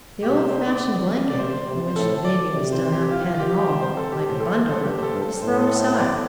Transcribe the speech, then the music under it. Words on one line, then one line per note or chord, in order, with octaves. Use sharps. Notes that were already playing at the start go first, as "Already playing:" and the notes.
The old-fashioned blanket, in which the baby was done up head and all, like a bundle, is thrown aside.
C3 G4
C5
C5
D5
D5
C3 C5
C3
C5
A2 A4
D5
C3
C5
G4
F4
F4
G4
C3 C5
C5
A4
G4
A2 C5
A4
C5
A4
G2 G4
C5
A4
G2
A4
A2 C5
A4
C5
D5